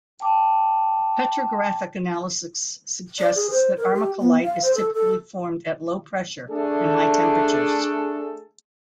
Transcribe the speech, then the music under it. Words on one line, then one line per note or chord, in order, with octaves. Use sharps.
Petrographic analysis suggests that armalcolite is typically formed at low pressures and high temperatures.
G5 A5 D6
D5
G#4
C5
A#4
G4
B3
F5
C5
A4
A4
A3 D4 G#4 A4